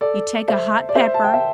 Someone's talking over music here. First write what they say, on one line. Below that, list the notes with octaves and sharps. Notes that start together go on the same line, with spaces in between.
you take a hot pepper
A4 D5
C5 E5
D5
C5 E5
A5
G5
E5